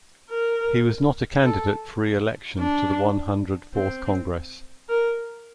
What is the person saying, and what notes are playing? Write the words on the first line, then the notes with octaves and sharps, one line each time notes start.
He was not a candidate for reelection to the One Hundred Fourth Congress.
A#4
A4
D4
C4
A#4